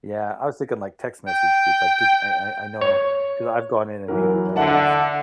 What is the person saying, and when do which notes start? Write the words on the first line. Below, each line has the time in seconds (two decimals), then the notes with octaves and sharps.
Yeah. I was thinking, like, text message groups. I think I I I know 'cause I've gone in and muted those.
1.28 G5
2.81 C#5
4.08 E3 F#3 A#4
4.56 D3 E5 F#5 A5